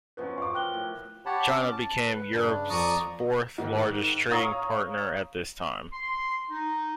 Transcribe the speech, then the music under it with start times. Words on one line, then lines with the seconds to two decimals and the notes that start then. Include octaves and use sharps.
China became Europe's fourth largest trading partner at this time.
0.17 B2 F3 F#3 C#4 B4
0.38 F5 C#6 D6
0.54 A#4 G5 F#6 G7
0.74 A2
1.26 G4 C#5 F#5 A5 B5
1.50 C#4 D6
1.71 A5
2.06 B4
2.33 G2 C#3 D4
2.70 F2 F3 D5 A#5 C#6 D#6
3.58 G#2 D#3
4.31 C#5 F5 A#5 D#6
5.93 C6
6.51 D#4